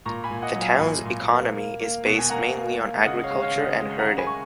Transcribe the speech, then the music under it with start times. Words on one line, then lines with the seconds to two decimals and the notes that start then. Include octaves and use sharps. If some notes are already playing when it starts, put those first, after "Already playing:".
The town's economy is based mainly on agriculture and herding.
0.05 A#2 A#5 C#6
0.24 G#5 B5
0.31 A#2
0.42 D#5 F#5
0.55 F#3
0.62 F5 G#5
0.80 A#2 G#5 B5
1.05 A#2
1.31 A#3
1.55 A#3
1.80 A#3
2.06 B2
2.19 G#5
2.30 A#3 F#5 A#5
2.55 A#3
2.80 A#3
3.05 C#3 D#5 F#5
3.24 C#5 F5
3.31 G#3
3.42 C#5 F5
3.56 C#3
3.62 D#5 F#5
3.80 G#3
3.99 F#5 A#5
4.05 C#3
4.18 G#5 B5
4.27 C#6